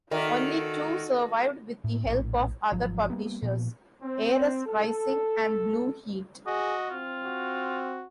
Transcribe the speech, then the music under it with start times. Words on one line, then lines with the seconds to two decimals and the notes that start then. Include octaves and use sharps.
Only two survived with the help of other publishers: "Ares Rising" and "Blue Heat".
0.11 D#3 F#4 A4 A#4 D5 E5
1.84 A2
2.05 A#1 A2
2.72 G#1 F3 F#3
3.10 G3 A#3 B3
3.42 A#2 F3 B3
4.03 C4
4.66 A4
6.47 F#4 G#4 D#5
6.90 C4 F4
7.25 F#4